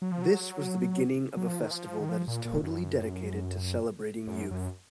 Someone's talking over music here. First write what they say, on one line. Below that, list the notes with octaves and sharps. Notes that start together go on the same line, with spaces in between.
This was the beginning of a festival that is totally dedicated to "Celebrating Youth".
F#3
F3
F#3
F#3
F3
D#3
F3
D#3
F3
A#2
A#2
F#2
F#2
F#2